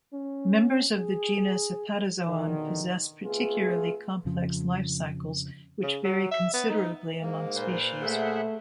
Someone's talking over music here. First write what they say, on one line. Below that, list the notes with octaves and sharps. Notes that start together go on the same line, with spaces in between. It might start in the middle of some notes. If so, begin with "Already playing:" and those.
Members of the genus "Hepatozoon" possess particularly complex lifecycles which vary considerably among species.
C#4
G#4
E2 B2 D3 D#3
A3 B3 C4 F4 G#4
F2 C#3 F3
C#3
F#3
E5
B3
D#4
G#2 A#3
A#2 B4 C5
A3 G#4 E5 F#5